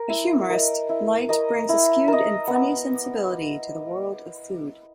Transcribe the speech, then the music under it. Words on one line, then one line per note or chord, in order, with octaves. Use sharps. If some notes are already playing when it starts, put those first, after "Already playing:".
A humorist, Leite brings a skewed and funny sensibility to the world of food.
Already playing: A#4
E4
A#4 D#5
E4
A#4 D#5
E4
A#4 D#5
B3